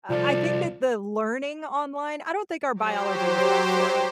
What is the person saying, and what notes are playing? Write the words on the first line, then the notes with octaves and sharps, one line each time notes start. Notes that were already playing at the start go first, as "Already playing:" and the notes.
I I think that the learning online I don't think our biology was built for it.
C2 F3 A4 D5
F#3 G4 C5